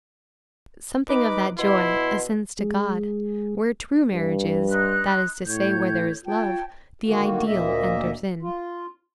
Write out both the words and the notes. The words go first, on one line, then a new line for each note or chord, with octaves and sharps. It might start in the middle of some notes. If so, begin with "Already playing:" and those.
Something of that joy ascends to God. Where true marriage is, that is to say, where there is love, the ideal enters in.
D#4 B4 D6
B2 E4 C6
G#3
G2
D#4 C6 F#6
A2 C#5 G6
F4 C#5 G5 A5
D3 D#3 A#3 F#4
D2 A#2 A#3 D#5 E5
F4